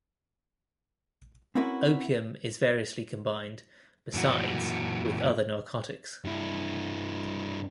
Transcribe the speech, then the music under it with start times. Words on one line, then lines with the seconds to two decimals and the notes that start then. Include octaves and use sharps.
Opium is variously combined, besides, with other narcotics.
1.55 C4 C#4 E4 F#4 A#4 B4
4.14 F#2 A#2 E3 F#4
6.24 G2 E4